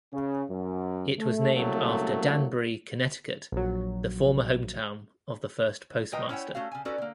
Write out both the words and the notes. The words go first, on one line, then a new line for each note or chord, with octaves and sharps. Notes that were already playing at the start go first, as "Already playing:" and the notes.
It was named after Danbury, Connecticut, the former hometown of the first postmaster.
C#3
F#2
A3
C2 C#3 F#3 A3 A#3
A#1 F#3
A2 D#3 B4 D#5 G5 A#5
C#4 E4 C#5 D5 F#5 G5
A3 C#4 F#4 F5
C#3 G#5
C#4 D#4 F#4 A4 B4 D5
D3 A#3